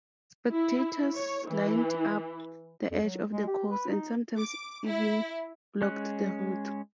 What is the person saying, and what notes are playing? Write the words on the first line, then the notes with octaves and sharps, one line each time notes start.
Spectators lined up the edge of the course and sometimes even blocked the road.
E4
C#5
E3
F2
F#3
G#3
G4
B4
D#4
D6
E4
G#3 C#4 F#6